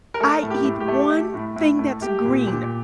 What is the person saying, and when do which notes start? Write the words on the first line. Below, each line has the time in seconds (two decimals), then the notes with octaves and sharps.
"I eat one thing that's green."
0.14 A#4
0.20 A3 A4
0.42 A2
0.50 G4
0.65 A2
0.80 G4
0.88 A3
1.10 A3
1.34 A2
1.56 A2
1.79 A3
2.01 A3 G4
2.25 A#2
2.47 A#2